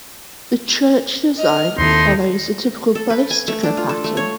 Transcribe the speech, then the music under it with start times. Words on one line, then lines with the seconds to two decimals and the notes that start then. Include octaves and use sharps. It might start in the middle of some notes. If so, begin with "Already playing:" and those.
The church design follows a typical basilica pattern.
1.37 D#5 F6
1.78 D#2 D#3 C4 D#4 E4 A4 C6
2.95 A4
3.10 B4
3.31 G#5
3.48 A3
3.63 D4
3.77 F4
3.89 A4
4.04 A3
4.17 C#5